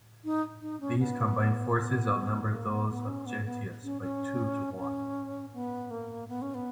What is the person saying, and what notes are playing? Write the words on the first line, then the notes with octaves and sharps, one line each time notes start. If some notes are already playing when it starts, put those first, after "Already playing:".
These combined forces outnumbered those of Gentius by two to one.
D#4
D#4
C#4
B3
B3
A#3
B3
B3
C#4
B3
B3
C#4
C#4
C#4
B3
A#3
B3
C#4
B3